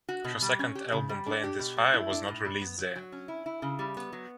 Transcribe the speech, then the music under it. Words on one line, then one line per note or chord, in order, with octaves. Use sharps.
Her second album "Playin' With Fire", was not released there.
F#4
B2
G3
C#4
G4
C#3
G3
D4
G4
B2
A3
E4
D4
A2
G3
B3
F#3
F#3
C#4
E4
E4
C#3
G3
B3
F#3